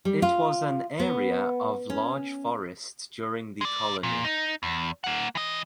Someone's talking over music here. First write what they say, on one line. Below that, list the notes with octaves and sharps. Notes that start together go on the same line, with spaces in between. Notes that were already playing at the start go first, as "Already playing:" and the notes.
It was an area of large forests during the Colony.
G3
F4
B3
C#4
G#3 D5
A#2
D#4
E2
A#3 F#5
E3 D#5